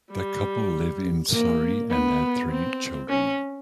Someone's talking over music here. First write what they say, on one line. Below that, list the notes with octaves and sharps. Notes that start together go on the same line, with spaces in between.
The couple live in Surrey and have three children.
G3
A#3
B3
C4
C#4